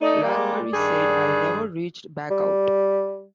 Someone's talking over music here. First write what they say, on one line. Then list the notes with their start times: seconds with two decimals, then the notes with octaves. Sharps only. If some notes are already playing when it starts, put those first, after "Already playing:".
Lathbury said, I never reached back out.
0.02 A3 D#4 D5
0.24 G3 G#3 A#3
0.74 G2 D#3 G#4
2.31 G3